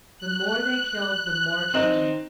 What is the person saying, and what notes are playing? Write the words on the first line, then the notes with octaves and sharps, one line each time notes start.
The more they killed the more came.
F#6
C4 D#4